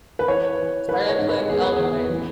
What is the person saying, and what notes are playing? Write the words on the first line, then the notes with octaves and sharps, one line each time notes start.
Started playing Elden Ring,
B4
E3 C#5
E3
E3 B4
C#5
G#2
B4
E2 G#4
B4
G#4
E2
E3